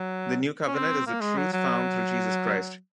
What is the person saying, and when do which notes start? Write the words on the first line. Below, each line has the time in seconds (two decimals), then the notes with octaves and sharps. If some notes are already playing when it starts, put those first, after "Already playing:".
The New Covenant is the truth found through Jesus Christ.
Already playing: F#3
0.67 C#4
0.75 C4
1.07 A#3
1.21 G#3
1.37 F#3
1.53 F#3